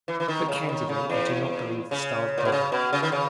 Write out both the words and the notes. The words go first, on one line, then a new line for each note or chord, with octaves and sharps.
But, candidly, I do not believe the stars bother.
E3
E3
D#3
C#3
D#3
C#3
E2
C#3
A#2
B2
C#3
B2
C#3
D#3
C#3